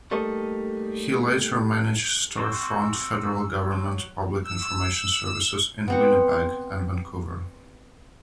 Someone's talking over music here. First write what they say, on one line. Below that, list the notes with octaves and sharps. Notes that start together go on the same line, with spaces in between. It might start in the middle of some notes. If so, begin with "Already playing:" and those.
He later managed store-front Federal government public information services in Winnipeg and Vancouver.
G3 A3 A#3 D#4 A4 D#5
C4 F#4 C5 E6
F#3
E6
B3 C4 F#5